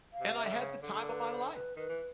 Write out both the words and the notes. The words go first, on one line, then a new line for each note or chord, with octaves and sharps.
and I had the time of my life.
F5
C3
E5
D3
C#3
C#5
D3 D5
B4
C5
B4
D#3 B4
E3